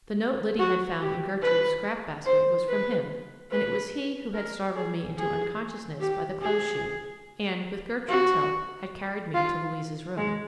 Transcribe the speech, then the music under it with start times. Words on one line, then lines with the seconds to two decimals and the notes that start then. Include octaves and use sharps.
The note Liddy had found in Gertrude's scrap-basket was from him, and it was he who had startled me into unconsciousness by the clothes chute, and, with Gertrude's help, had carried me to Louise's room.
0.59 F#4
1.01 G4
1.42 B4
2.26 C5
2.68 B4
3.51 B4
4.34 A#4
4.76 G#4
5.18 G#4
6.00 G4
6.42 G#4
8.09 F#4
9.34 F4
10.17 G#3